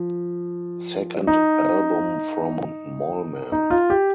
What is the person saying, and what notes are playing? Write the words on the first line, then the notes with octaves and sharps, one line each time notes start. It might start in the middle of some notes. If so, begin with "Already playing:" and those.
Second album from Mallman.
Already playing: F3
D#4
D#4
F4
G4